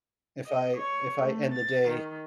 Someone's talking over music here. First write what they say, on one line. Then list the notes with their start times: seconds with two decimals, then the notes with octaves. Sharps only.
if I if I end the day
0.47 D#5
0.78 C#5
1.22 A3
1.54 A6
1.89 D#3